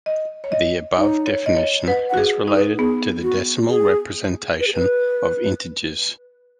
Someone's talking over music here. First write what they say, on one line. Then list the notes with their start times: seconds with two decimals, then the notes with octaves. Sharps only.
The above definition is related to the decimal representation of integers.
0.06 D#5
0.44 C#5
0.52 D#5
0.96 D#4 C#5
1.27 C#5
1.46 D#5
1.57 C#5
1.88 B4 F#5
2.10 F#5
2.14 F#4
2.18 G#4
2.48 D#4
2.55 B4
2.78 B3 G#4
3.23 F#4
3.69 G#4
4.60 B4
4.67 G#4
4.74 B4